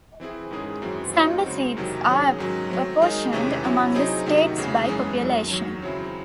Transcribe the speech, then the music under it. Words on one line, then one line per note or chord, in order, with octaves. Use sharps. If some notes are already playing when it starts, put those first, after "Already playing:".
Chamber seats are apportioned among the states by population.
E3 C4 E4 G#4
G#2 D#3 G#3 C#4 G#4
F#2 E3 C4 F#4
F#3 A3 C4 D#4 F#4
C#3 G#3 C4 F#4
E2 C3 D#3 F#3
D#3 F#3 C#4 G#4
G#2 D#3 F#3 C#4
F#3 A3 C4
D#3 G#3 D#4 G#4
E2 C3 E3 A3 C#4
C3 F#3 C#4 E4
F#3 C4 D#4 G#4
C3 D#3 A3 D#4 F#4
E2 C#3 E3 G#3
F#2 E3 G#3 C#4 G#4
F#2 D#3 F#3
E2 D#3 F#3
C#3 F#3 C4 E4